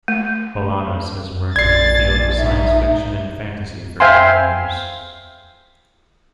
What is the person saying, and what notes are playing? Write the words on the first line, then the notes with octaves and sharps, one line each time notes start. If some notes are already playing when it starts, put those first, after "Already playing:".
Balanos has worked in the field of science fiction and fantasy for many years.
A3
A#1 D5 G#6 A6 C7
D#4 E5
C5 E5 F5 G5 G#5 C6